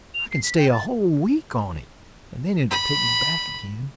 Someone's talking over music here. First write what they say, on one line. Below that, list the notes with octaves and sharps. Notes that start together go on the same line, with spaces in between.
I can stay a whole week on it, and then it'll take me back again.
F7
C7
B6
G5
A6
B5